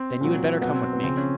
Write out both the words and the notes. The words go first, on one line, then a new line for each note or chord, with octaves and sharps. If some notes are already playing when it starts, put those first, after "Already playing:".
"Then you had better come with me."
Already playing: C4
A#2 F#3
B2 F#3 B3
C4
C4
B3
C#3 F3 C4
C#4